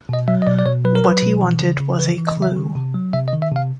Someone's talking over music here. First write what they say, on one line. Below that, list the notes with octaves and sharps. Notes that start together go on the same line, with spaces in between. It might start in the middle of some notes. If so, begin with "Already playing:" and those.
What he wanted was a clue.
B2 D#5
F#3 E5
D#5
B2 D5
D5
B2 C#5
F#3 B4
A#4
F#3 B4
B2
E3
C#3
C#3
E3 B4
E3
D#5
C#3
E5
D#3
C3
F#3
C3 E5
D#5
D#3
E5
C3 F5